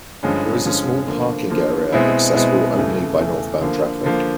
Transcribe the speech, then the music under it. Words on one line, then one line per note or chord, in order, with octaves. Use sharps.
There is a small parking area accessible only by northbound traffic.
G2 D3 F3 G#3 C#4
G2 D3 F3 G#3 C#4
D3 F3 A#3
D3 F3 A#3
B2 G#3 C4 E4
B2 G#3 C4 E4
E2 C#3 E3 A3
E2 C#3 E3 A3
D3 F3 A#3
D3 F3 A#3